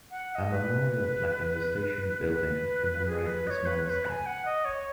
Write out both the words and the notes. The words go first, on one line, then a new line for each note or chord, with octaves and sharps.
A memorial plaque in the station building commemorates this milestone.
F#5
F#5
D#5
B4
B4
G#4
B4
D#5
C#5
B4
C#5
B4
B5
G#5
F#5
D#5
C#5